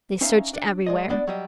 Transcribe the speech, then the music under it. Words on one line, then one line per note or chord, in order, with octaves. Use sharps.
They searched everywhere.
C#4 D#4 C5 E5 F5
D4
G#3 D5 D#5
B3 D4 D5
F#3 G3 D#5